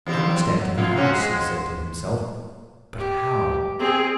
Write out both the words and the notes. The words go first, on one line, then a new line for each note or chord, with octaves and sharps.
"I must enter the house," he said to himself; "but how?"
E2 C4 G4
F#3
F2 B2 F4
C4 C#4 F#4
G#3
C5
G4
C4 G#4